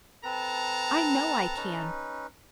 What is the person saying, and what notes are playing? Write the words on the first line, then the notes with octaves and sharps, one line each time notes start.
I know I can.
C4 A4 B4 A5 A#5
C#4 D#4 B4